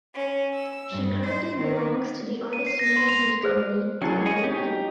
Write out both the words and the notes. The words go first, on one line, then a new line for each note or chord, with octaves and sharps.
She currently belongs to the artist management company Cloud Nine.
C#4
E6
G2
C5
D#3
D#7
C7
A#6
C6
F7
G#4 B4 C5
F#3 C#4 E4 G#4 G5
G#4 C#5 D#5 G5
D#4 G4